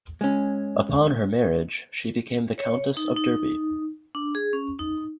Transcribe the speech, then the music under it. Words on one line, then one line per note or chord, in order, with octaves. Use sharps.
Upon her marriage she became the Countess of Derby.
G#3 C#4
C#5
D#4
D#4
D4
G#4
C#4
D#4